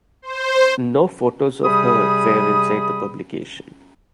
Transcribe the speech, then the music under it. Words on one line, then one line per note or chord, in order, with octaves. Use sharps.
No photos of her were inside the publication.
C5
C3 G3 G#4 B5 D#6